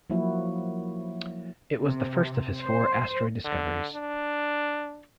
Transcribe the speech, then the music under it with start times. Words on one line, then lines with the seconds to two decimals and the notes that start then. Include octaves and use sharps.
It was the first of his four asteroid discoveries.
0.10 F3 F#3 A#3 E4 F#4
1.77 C3
2.60 C5
3.44 D3
3.93 D4